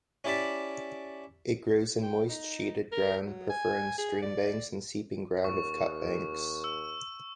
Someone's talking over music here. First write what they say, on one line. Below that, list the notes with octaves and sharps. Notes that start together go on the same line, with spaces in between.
It grows in moist shaded ground, preferring stream banks and seeping ground of cut-banks.
C#4 E4 G4 D5 A5 B5
G5
D#4
A#4
F#3
G#5
G#4
D5
D#2 C#6
E6